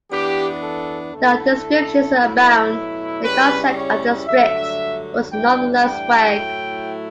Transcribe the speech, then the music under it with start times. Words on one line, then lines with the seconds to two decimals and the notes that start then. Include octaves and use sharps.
Though descriptions abound, the concept of the strix was nonetheless vague.
0.10 E3 B3 D4 G4
0.62 A4
1.14 D3 A3 E4 A4
2.19 B2 F#3 A3 E4
3.22 C#3 G3 C#4 E4 B4
3.75 C#5
4.27 G2 D3 F#3 A3 D4 E5
5.31 A2 E3 G3 D4 G5
5.84 G5
6.35 A2 F#3 A3 E4